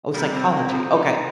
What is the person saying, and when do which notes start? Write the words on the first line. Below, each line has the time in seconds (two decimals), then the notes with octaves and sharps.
Oh, psychology. Okay,
0.14 C3 D#3 G3 A#3
0.33 C4
0.50 A#3
0.69 A#2 F3 C4
0.96 D#4